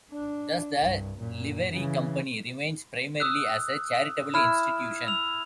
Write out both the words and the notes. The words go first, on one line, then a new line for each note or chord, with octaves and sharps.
Thus, the Livery Company remains primarily as a charitable institution.
D4
C2 G2
F#2 A#2
C#3 E3
D#6 E6 F#6
E4 F6 E7
E6 F7